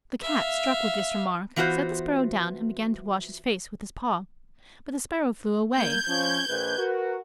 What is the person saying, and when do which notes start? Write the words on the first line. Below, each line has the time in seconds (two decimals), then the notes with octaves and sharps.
The Cat, struck with this remark, set the sparrow down, and began to wash his face with his paw, but the sparrow flew away.
0.22 E5 F5
1.56 E3 B3 F4 F#4 C5
5.76 A#3 G6 G#6
6.07 F3 C#4
6.48 A#1 B4
6.77 F#4 A#4